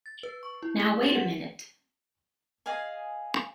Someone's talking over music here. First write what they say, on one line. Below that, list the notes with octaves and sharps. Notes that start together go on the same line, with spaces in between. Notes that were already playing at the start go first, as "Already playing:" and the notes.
Now wait a minute!
A6
B4
C#6
E4
G#4
G4
F#5
G#4 D#5 F5 G#5